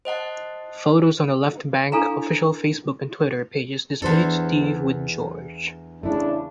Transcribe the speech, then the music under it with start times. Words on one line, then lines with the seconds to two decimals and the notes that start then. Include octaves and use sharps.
Photos on The Left Banke official Facebook and Twitter pages displayed Steve with George.
0.05 C5 D#5 F#5 A5
1.92 D4 E4 A4 F5 G#5 A#5
4.02 E2 D4 A4 C5
6.03 C#3 A3 D4 E4